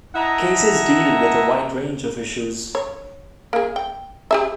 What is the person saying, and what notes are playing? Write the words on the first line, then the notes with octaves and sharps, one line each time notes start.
Cases deal with a wide range of issues.
E4 D#5 E5 F#5 A5 A#5
C#5
A#3 G#4
G5
G4 G#4 E5